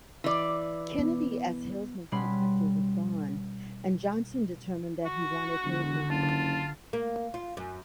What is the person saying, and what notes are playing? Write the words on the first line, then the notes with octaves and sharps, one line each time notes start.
Kennedy as Hilsman's protector was gone, and Johnson determined that he wanted Hilsman out.
E3 D5
B3
B2 G3 C#4 F#5 B5 C6
F#4 C#6
E1 D3
F#1 F4 A5
A#3
F4
F#2